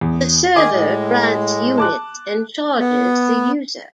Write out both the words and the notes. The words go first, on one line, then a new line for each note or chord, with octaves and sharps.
The server grants units and charges the user.
E2
D#3 G#4 D#5 G#5 D6
A2 G#3
A5 D6 F#6
B3